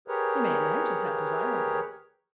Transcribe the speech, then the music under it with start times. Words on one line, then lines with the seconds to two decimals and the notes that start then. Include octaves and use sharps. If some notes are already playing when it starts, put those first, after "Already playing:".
You may imagine how desirable!
0.08 G4 G#4 A#4 B4 C#5